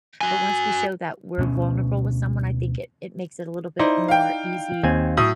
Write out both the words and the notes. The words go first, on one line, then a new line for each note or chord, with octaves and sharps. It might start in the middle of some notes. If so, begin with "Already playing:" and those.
but once we show that we're vulnerable with someone, I think it it makes it a little bit more easy
F#4 G#5
D2 B2 C#4
D#4 E4 C5 D5
F5 G5
D#2 C4 G#5
A2 F#3 D#6